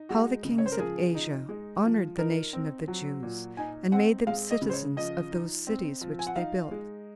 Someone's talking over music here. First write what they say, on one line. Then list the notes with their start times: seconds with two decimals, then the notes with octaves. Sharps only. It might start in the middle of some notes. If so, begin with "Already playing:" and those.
How The Kings Of Asia Honored The Nation Of The Jews And Made Them Citizens Of Those Cities Which They Built.
Already playing: D#4
0.09 G#3 F#4
0.45 C#3
0.58 C#5
0.66 C5
0.72 A#4
0.79 F3 G#4
1.15 D#4
1.49 G#3
1.84 F3
2.18 D#4 A#4
2.53 C4
2.88 F#3
3.23 A#2
3.57 D#4 G#5
3.92 C4 F#5
4.27 G#3 F5
4.51 D#5
4.62 C#3
4.69 C5
4.73 C#5
4.97 F3 D#5
5.32 D#4
5.67 C4
6.01 F3
6.19 G#5
6.27 F#5
6.36 D#4 F5
6.71 G#3